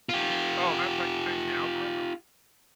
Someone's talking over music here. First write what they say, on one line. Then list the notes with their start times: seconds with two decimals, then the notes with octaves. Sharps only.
Oh, that's how you change the algorithm?
0.09 F4 G4